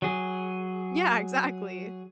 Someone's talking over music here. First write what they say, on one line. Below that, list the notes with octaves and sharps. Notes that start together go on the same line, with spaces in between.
Yeah, exactly.
F#3 G#4